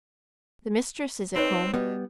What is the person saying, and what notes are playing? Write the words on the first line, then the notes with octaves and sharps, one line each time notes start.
The mistress is at home.
C4 D#4 B4 C#5
B2 G3 B3